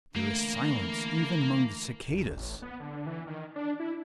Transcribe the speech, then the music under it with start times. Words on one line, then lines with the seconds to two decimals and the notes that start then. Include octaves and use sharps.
There is silence even among the cicadas.
0.16 D3 E3 A3 A#3 A#4
2.11 E1
2.37 A1
2.62 B3
2.80 D3
3.06 E3
3.27 D#3
3.56 D4
3.80 E4